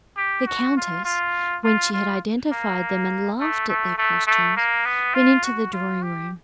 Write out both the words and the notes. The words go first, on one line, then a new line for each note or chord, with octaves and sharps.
The countess, when she had identified them and laughed at their costumes, went into the drawing room.
G4
F#4
F4
F4
F4
F4
A#3
A3
A3
A3
A3
A#3
B3
F4
F#4
F4
G4